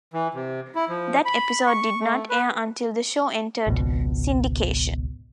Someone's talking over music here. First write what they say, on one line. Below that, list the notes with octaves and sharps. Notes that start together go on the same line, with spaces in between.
That episode did not air until the show entered syndication.
E3
C3
E4
F3
B5
C#6
A3
B4
G#1 C#2 B2